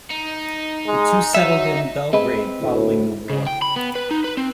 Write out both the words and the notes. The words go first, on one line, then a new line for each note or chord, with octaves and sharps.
The two settled in Belgrade following the war.
D#4
G#3
F#3 D#4 E5
G#3 C4 B4
D2 A2
C#3
G5
B5
B3
B4
D#4
B4
C4